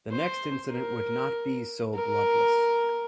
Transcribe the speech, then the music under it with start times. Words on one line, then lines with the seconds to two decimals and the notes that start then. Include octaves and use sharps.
The next incident would not be so bloodless.
0.11 C5
0.71 A#4
1.94 A#4